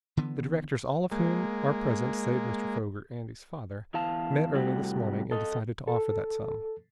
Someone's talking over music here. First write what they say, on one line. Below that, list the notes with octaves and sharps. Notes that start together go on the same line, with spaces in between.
"The directors, all of whom are present save Mr. Foger, Andy's father, met early this morning, and decided to offer that sum."
D3 E3 B3
G#3 A#3
E2 E4 F5 A5
A2 C3 G3 F#4 G4
A4 D#5
A4